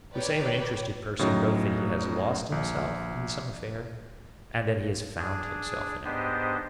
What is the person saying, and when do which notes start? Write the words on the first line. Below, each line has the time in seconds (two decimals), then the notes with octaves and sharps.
We say of an interested person both that he has lost himself in some affair and that he has found himself in it.
0.14 A#4 B4 C#5 D5 G5
1.19 A2 C#3 F#3 D#4
2.52 A#1
5.18 D4 G#4
6.05 G#2 B3 D4 G4 C5 D#5